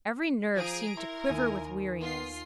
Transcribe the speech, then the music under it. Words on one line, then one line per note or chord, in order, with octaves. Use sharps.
Every nerve seemed to quiver with weariness.
F3 G#4 A#5 D7
E4 A#4 C6
D#2 G#5
B3 F4 C7